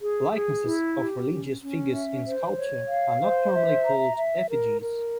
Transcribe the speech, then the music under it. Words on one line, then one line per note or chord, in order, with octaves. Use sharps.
Likenesses of religious figures in sculpture are not normally called effigies.
G#4
G#4
E4
G4
C#4
C#4
E5
C5
C#5
F5
C5
E5
A#5
E5
A#4
A#4